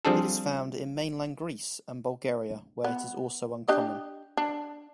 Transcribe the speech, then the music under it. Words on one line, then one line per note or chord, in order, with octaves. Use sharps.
It is found in mainland Greece and Bulgaria, where it is also uncommon.
F3 G3 C4 D4 G#4 A4
B3
D4 G4 D#5
D4